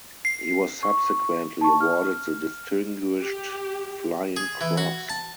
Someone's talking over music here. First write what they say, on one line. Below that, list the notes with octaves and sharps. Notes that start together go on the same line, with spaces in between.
He was subsequently awarded the Distinguished Flying Cross.
C7
C#6
A5 C#6
F6
G4
G#4
E3
F#4
A5